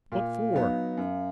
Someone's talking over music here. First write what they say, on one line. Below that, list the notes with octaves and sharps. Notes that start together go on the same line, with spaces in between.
What for?
A#2 F5
F#3 B3 D#4
F#2